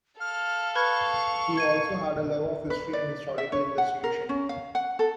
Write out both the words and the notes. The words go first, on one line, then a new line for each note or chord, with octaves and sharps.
He also had a love of history and historical investigation.
A4 F5 F6
B4 B5 C#6 G#6
G#6 D#7
B4
D5
E5
C#5
F#5
A#4
C#4
F5
F#5
A4